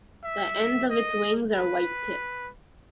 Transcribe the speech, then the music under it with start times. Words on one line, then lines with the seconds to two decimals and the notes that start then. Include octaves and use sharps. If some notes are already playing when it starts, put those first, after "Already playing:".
The ends of its wings are white-tipped.
0.24 E5
0.90 D#5
1.53 B4